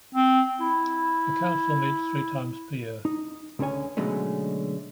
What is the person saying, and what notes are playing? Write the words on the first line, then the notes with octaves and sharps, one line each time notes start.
The Council meets three times per year.
C4
E4
D#4
C#2 D3 C#4 C#5 G#5
B2 D3 F#3 G#3 A3 C#4